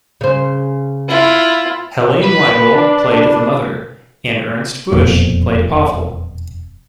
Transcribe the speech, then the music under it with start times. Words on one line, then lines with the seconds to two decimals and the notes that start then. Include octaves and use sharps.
Helene Weigel played the Mother and Ernst Busch played Pavel.
0.21 C#3 C5
1.08 E4 F4
2.24 B4
2.73 D4
4.92 E1 F2 A#2